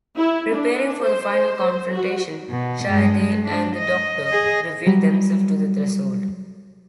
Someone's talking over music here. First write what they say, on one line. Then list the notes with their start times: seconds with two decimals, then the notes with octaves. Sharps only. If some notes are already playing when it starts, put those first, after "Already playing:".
Preparing for the final confrontation, Shayde and the Doctor revealed themselves to the Threshold.
0.16 E4
0.53 D4
1.04 C5
1.92 F#4
2.50 B2
2.86 G2 G#3
3.45 D4
3.77 D#5
4.27 G#4 D#5
4.87 F#3 G3